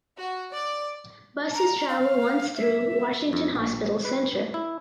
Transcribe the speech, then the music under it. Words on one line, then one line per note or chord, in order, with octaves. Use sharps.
Buses travel once through Washington Hospital Center.
F#4
D5
A#5
F5
E5
F2
A#1
B4
E4